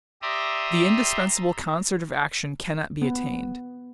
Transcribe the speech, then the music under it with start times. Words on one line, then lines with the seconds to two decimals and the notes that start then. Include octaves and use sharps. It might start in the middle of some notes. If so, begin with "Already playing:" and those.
The indispensable concert of action cannot be attained.
0.22 G4 D5 E5 A#5 C6 D#6
3.02 B3